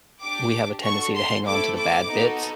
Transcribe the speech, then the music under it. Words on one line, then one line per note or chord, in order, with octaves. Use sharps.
we have a tendency to hang on to the bad bits.
D4 G4 D6
D4 F#4 A4 C#6
C6
A3 C4 E4 A4 D6
D6
B3 D#4 F#4 A4